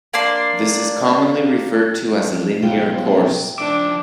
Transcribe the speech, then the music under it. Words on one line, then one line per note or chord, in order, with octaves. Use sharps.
This is commonly referred to as a linear course.
A#3 D4 D5 C6
B1 F4 G5
F3 D4 E5 D6